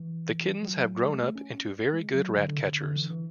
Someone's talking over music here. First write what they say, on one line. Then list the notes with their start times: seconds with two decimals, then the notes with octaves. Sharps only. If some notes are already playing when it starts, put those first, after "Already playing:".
The kittens have grown up into very good rat-catchers.
Already playing: E3
0.63 F#3
1.06 G#3
1.20 A3
1.35 C#4
1.94 G#3
2.15 F#3
2.37 D3
2.48 D3
2.59 C#3
2.70 D3
2.82 D3
2.96 E3
3.10 E3